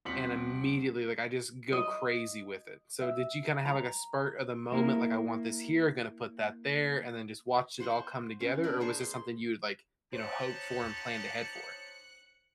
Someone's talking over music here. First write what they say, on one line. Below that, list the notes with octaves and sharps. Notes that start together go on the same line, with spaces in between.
and immediately, like, I just go crazy with it. So did you kinda have like a spur of the moment, like, "I want this here, I'm gonna put that there," and then just watch it all come together, or was this something you would like, you know, hope for and planned head for?
D#1 C4 F#4 B6 C#7 F#7
D#5
E5
A#5
A#3 E4 A#4
C5 F#5 C6 C#6
C#4
D4 A#4 B4
G#4 C5 C#6
C6
D#4 G4 C5 C#5 A5 F#6 C#7